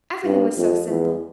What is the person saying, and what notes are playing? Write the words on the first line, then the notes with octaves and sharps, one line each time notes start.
Everything was so simple.
G2
F2
E2